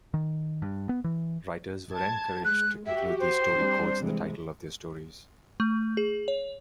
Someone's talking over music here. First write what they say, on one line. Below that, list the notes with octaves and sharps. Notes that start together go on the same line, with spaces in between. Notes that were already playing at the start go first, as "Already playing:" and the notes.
Writers were encouraged to include these story codes in the title of their stories.
D#3
G2
B3
E3
A5 G#6
G#3 F#6
F#4 G4 E5
C5
G3 C4 D4
C3 E3 G#3
A3
G#4
C#5